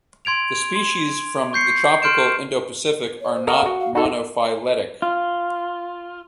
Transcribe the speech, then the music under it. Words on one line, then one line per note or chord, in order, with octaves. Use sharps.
The species from the tropical Indo-Pacific are not monophyletic.
C6 G#6 D7 F7
C6
C#6 G6 C7 C#7
C6 F6 G6 D7 E7
C#5
C5
A4 A#4 D#5 F#5
F#4
F5
D#4 F#4 A4
F4